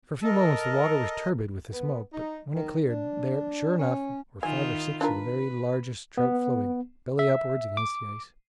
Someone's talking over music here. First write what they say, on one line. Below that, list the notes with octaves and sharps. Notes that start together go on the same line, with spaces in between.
For a few moments the water was turbid with the smoke, but when it cleared, there, sure enough, were five or six of the very largest trout floating, belly upward, against the ice.
A4 A#4 D#5
B3
D#4
D#3
D4
C#4
D#3 E4 F4 G#5
D4 F4 A#4 B4
B3
E5
D6